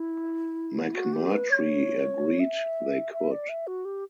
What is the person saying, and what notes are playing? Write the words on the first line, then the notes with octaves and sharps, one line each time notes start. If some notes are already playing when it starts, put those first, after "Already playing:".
McMurtry agreed they could.
Already playing: E4
F#4
G4
B4
C#5
E5
E5
D5
E5
F#4
G4